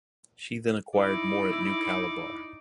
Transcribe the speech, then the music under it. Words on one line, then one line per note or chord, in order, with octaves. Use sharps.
She then acquired more at New Calabar.
D#4 E4 D5